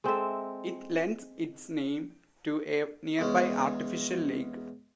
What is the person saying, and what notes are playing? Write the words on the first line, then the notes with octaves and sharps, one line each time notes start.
It lends its name to a nearby artificial lake.
G#3 C4 A4 E5
E2 G#3 C#4